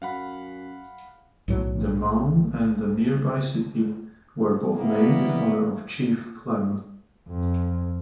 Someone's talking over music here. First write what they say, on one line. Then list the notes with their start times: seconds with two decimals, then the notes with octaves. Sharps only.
The mound and the nearby city were both named in honor of Chief Clermont.
0.02 F#2 F5 F#5 B5
1.48 B1 A2 F#3
4.75 G3 G#3 A#3 B3 E4
7.28 F2